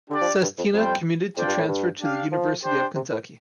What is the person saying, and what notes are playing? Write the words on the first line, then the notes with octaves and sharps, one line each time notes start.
Sestina committed to transfer to the University of Kentucky.
D3 D4 G4 D5
F3
G2
F2
F2 G3 F4 C5 G5
F2 D4 F4 D5 G5
G2
A2
G2
D4 G4 F5
F3
D4 G4 C5 G5
C3
A2